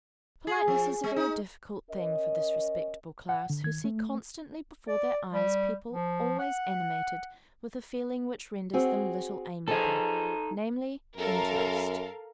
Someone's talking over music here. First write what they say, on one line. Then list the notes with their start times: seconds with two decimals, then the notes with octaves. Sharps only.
Politeness is a very difficult thing for this respectable class, who see constantly before their eyes people always animated with a feeling which renders them little amiable, namely, interest.
0.47 G#4
0.68 F3
1.04 G#3
1.16 D#4
1.90 C#4 A#4 D#5
3.29 F#5
3.50 D3
3.64 D#3 G#6
3.84 A3
4.88 D5
5.34 G3
5.92 F3
6.39 F#5
8.73 C4 F#4 G#4
9.68 F3 D#4 G#4 A4
11.17 F#2 A4 A#4 F5